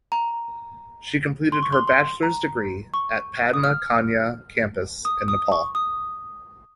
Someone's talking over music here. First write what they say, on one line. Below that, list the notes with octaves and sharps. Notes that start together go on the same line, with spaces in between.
She completed her bachelor's degree at Padma Kanya Campus in Nepal.
A#5
C6
C#6
C6
C6
A#5
C#6
D#6
F6
D#6
D#6
C#6
D#6